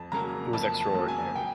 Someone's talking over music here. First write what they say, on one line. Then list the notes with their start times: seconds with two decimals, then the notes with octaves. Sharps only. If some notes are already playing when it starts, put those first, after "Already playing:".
It was extraordinary.
Already playing: F2 A5
0.12 C#3 F#3 A#3 A#5
0.53 F2 A5
0.80 A5
0.94 C#3 F#3 A#3
1.08 G#5
1.35 G5